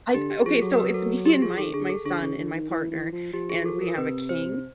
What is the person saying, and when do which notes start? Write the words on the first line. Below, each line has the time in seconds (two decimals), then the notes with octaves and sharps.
I've okay, so it's me and my my son and my partner, and we have a king,
0.14 D3 G4
0.30 G4
0.46 F3 G#4
0.62 F#3 A4
0.73 A#4
0.77 B4
0.94 A4
1.26 G4
1.42 F3 G#4
1.58 D#3 A4
1.74 D3 G#4
1.89 A4
2.05 D3 G#4
2.22 C#3
2.38 D3
2.54 D#3
2.70 E3
2.91 E3
3.12 F3
3.33 F3 G4
3.50 G#4
3.66 A4
3.81 A#4
3.97 C3 B4
4.29 C5